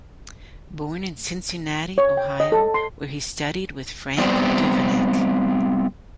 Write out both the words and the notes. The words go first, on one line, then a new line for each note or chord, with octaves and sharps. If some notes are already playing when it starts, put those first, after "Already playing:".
Born in Cincinnati, Ohio, where he studied with Frank Duveneck.
C#5
G5
D#5
A4
C6
G3 B3 C4 D5